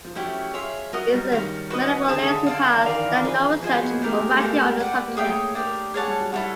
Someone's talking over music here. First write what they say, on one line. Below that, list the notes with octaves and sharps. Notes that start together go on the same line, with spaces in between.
He is a medievalist who has done no research or writing on the subject.
F3
F#3 A3 C#4 E4 G4
F4 G#4 C#5 E5
F#3 F#4 A#4 D#5
G3
D#3 C#4 F#4 A#4
F#4 B4 D#5
D3 G#4 C#5 E5 A5
D3
D3
F4 A4 D5
E3
D#3 F4 A#4 D5 F5
E3
F3 G#4 B4 E5
F3 G#4 C5 D#5 G#5
F#3
B3
A#3
A3 D4 G4 A#4
G#3
A#3
A3
G#3 A#3 D4 G4 A#4
G4 B4 D5 F#5
A#3
A3 G#4 C#5 E5 G5
D4 G4 A#4
G#3 G#4 C#5 F#5 A5
G3
F#3
G3 E4 A4 C#5 F#5